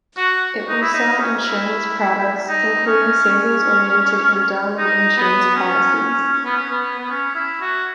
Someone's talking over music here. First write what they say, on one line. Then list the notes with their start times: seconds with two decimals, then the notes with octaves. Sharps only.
It will sell insurance products, including savings-oriented endowment insurance policies.
0.17 F#4
0.68 D#4
0.81 E4
0.94 D#4
1.19 C#4
1.45 E4
2.48 D#4
2.86 C#4
3.25 C#4
4.78 D#4
5.17 B3
5.55 C#4
5.94 C#4
6.32 C#4
6.45 B3
6.57 C#4
6.71 B3
6.98 B3
7.10 C#4
7.35 E4
7.61 F#4